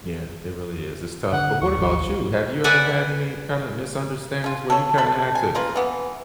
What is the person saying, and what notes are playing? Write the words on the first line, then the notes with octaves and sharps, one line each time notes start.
Yeah, it really is. It's tough. But what about you? Have you ever had any kind of misunderstandings where you kinda had to
D3 F#5
D#2 C#6
G#1 D#2 F#3
C#2
B4 D5 E5 F#5 G#5
C#4 F4
A4 C#5
A4 B5
G#5
C#3 A#3 F4 B4
E3 B3